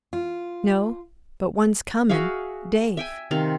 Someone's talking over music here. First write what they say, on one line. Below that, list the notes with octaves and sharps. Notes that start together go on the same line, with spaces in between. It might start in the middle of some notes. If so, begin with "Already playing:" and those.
"No, but one's comin'--Dave."
F4
F#4 G#4 E5 F5
E5 G5 G#5
C3 D#3 C4 F5